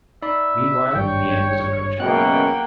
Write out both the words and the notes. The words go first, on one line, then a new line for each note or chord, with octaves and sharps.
Meanwhile the end was approaching.
D#4 D5 E5 B5
G#1 G2 G3 C#5 G5
C#2 F#2 B2 A#3 C#4 F#5 G5 F#6